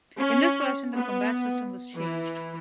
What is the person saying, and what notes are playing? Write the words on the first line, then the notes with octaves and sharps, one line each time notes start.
In this version the combat system was changed.
C#4
B3
E3